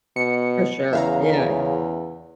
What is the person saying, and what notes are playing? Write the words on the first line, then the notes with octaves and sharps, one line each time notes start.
For sure, yeah, m
B2 C#7
E2 C#3 E5 F5 A#5